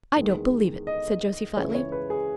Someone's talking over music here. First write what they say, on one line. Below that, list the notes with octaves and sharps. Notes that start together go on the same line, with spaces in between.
"I don't believe it," said Josie flatly.
E2 D#3 G#3
D#5
C#2 C#3 E3 G#3 C#5
C#5
B4
G#4